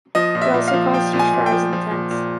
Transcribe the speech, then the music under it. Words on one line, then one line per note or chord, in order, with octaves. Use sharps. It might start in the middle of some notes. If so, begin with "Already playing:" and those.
It also caused huge fires in the tents.
F3 D#5
A#2
E5
A#2
F5
F3
F3 G5
A#2
G#5
A#2
G5
F3
F3
A#2
A#2